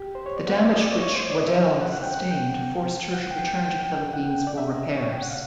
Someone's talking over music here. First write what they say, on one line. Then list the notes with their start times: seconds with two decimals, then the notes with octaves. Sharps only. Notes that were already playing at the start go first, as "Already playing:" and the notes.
The damage which "Waddell" sustained forced her to return to the Philippines for repairs.
Already playing: G4
0.15 C5
0.26 C#5
0.37 D5
0.48 F#5
0.57 F5
0.65 D5
0.72 D#5
0.81 D5
0.92 C#5
1.03 C#5
1.15 C5
1.23 C#5
1.30 D5
1.40 D#5
1.47 E5
1.64 F5
1.81 F#5
1.92 F#5
2.03 G5
2.14 F#5
2.31 G5
3.14 F#5
3.31 G5
3.47 G5
3.66 G5
3.83 G5
4.13 F#5
4.30 G5
4.47 D5
4.57 E5
4.69 D#5
4.97 C#5
5.13 G5
5.22 F#5
5.30 F5